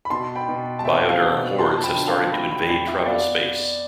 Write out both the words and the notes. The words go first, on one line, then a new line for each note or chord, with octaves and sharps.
BioDerm Hordes have started to invade tribal space.
B5
B2 A5 C6
G5 B5
B2
A5
C4 E5 G5
F5 A5
B2
F3 A5 C6
A5
G5 B5
D3
F5 A5
A3 G5 B5
G5 B5
F2 G5 B5
E5 G5
B3 D5 F5